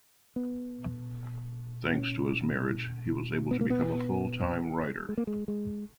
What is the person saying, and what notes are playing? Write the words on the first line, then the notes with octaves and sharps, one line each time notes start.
Thanks to his marriage, he was able to become a full-time writer.
B3
C#4
B3
A#3
B3
G#3
A#3
G#3
G#3